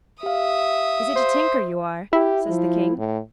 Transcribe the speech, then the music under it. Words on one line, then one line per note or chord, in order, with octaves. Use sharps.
"Is it a tinker you are?" says the king.
G4 E5 F5 D#6
C5
E4 G4
F3
A2